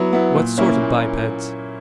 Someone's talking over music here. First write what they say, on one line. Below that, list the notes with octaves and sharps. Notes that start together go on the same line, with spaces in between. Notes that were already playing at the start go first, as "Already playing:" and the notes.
"What sort of bipeds?"
Already playing: F#3 B3 E4
B3 E4
A#2
A#3 C#4 E4
A#2